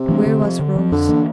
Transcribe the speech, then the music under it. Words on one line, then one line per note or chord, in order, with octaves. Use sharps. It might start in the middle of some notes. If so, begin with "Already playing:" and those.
Where was Rose?
Already playing: C3
E3 A3 D4
D3
F3 C4
D3
F3 C4
F2 D3
E3 A#3 D4